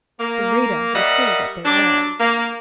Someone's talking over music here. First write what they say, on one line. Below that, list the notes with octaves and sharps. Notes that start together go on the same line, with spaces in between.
The reader will see what they were.
A#3
G3 A#4 D#5 E5 F#5
F#3 G3 D4
A#3